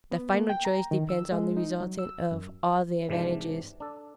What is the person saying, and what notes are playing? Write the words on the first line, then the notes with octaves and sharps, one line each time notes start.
The final choice depends on the resultant of all the advantages.
B3
A#3
G5
A#5
D#3
E6
G#3
D#4
F#3
E6
F#2
G#2 C3 E3 D4
D4 A4